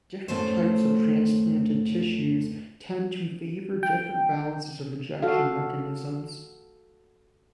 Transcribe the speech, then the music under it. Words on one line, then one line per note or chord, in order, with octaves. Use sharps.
Different types of transplanted tissues tend to favor different balances of rejection mechanisms.
F#2 A2 D#3 A3 C4 C5
G5
F#4 A4 F5